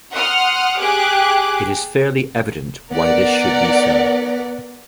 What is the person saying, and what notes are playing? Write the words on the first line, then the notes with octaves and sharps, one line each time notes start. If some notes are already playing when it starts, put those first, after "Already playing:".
It is fairly evident why this should be so.
F#5 C6 D#6 F6
G4 G#4 D6 F#6
B3 A#4 D5 F#5